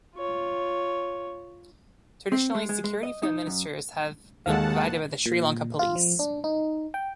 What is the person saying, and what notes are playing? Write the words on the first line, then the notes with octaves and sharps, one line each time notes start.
Traditionally security for the ministers have been provided by the Sri Lanka Police.
F4 C#5
C4
G#3
G#3
G#3
D#5
D#4
F#2
D#2 G#3 A4 F5 F#5 A5
A#2
F4
F3
D4
D#4
G5